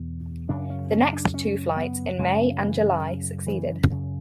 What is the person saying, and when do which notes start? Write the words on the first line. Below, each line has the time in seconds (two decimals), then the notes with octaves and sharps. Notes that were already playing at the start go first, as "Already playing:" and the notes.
The next two flights in May and July succeeded.
Already playing: E2 B2
0.49 F#2 C#3 D4
0.70 C#4
0.92 C#4
1.13 D4
1.34 C#4
1.77 B3
2.19 F#2 C#3 G#3
2.57 F#3
2.61 E3
3.47 E3
3.90 F#2 C#3